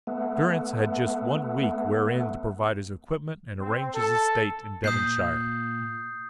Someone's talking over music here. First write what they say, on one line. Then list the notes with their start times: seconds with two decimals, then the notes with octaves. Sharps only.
Durrance had just one week wherein to provide his equipment and arrange his estate in Devonshire.
0.07 A3 B3
3.61 C4
3.95 A4
4.84 A#2 D#6 G6 C7